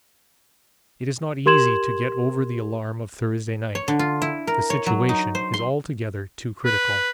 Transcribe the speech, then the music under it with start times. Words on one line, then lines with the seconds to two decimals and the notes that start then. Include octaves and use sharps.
It is not easy to get over the alarm of Thursday night--the situation is altogether too critical.
1.46 G4 A#4 C6 G#6 E7 F#7
3.75 C#5
3.88 D3
3.99 F4
4.22 E4
4.47 A#4
4.70 C#5
4.86 F#3
5.09 D#4
5.35 C5
5.54 C6
6.65 B4